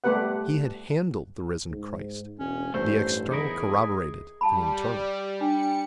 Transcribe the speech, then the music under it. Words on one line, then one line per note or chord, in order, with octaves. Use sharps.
He had handled the Risen Christ, the external corroborated the internal.
G3 A3 B3 G4 B4 F#5
G#2
E1 C#4
A1 E2 G2 A3 C5
E2 D#4 E4 G#4 A#4
G3 F5 A5 B5
D4 G5 C#7